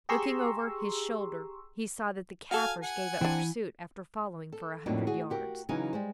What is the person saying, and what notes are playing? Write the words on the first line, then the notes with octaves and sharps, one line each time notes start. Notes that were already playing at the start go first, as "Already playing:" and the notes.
Looking over his shoulder he saw that the Kaffirs gave up pursuit after following for a hundred yards.
G4 G#4 A#5 C6 C#6 E6
F#4 A4 F5 G#5
F#5 G#5
E3 C4 D4
A4
F2 A2 F#3 A#3 D4 D#4
F#4 G#4
F#4 G4 A#4
C#3 E3 F#3 D#4 F5 G#5
G3 G#3 C5